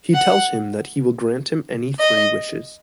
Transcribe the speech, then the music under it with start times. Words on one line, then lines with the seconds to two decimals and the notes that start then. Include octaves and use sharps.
He tells him that he will grant him any three wishes.
0.14 F#5
2.00 D#5